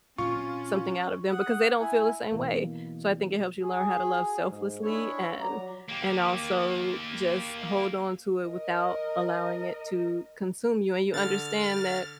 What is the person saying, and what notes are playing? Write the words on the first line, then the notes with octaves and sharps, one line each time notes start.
something out of them because they don't feel the same way. So, I think it helps you learn how to love selflessly and and also just hold onto it without allowing it to consume you, and you understand that
A#2 F#3 C4 C#4 F4 C#6
F#5 D#6
E4 G#5
B2 E3 A#3
F#4 G#4
G#2
G#3 D4 E4 C#5
F#3 D5 A#5
A#3 G4
A#4 D#5
D3 F6 A6